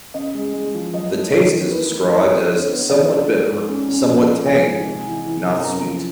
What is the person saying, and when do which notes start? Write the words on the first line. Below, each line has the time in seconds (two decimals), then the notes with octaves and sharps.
The taste is described as "somewhat bitter, somewhat tangy, not sweet".
0.14 C#3 D#5
0.34 G#3
0.53 G#3
0.74 F3
0.93 F#3 D#5
1.13 A3
1.32 D#3 C#5
1.52 D#3
1.71 E3 B4
1.91 A3
2.11 E3 C5
2.31 C4
2.51 D3 C#5
2.71 B3
2.90 F3 D5
3.09 D3
3.30 G#3
3.49 G#2
3.69 C#4
3.88 C#4
4.08 F3 D#5
4.27 A#3
4.47 F3 G#5
4.66 G#2
4.86 C3
5.06 E3
5.26 E3
5.46 C3
5.65 F#2 A#5
5.85 F3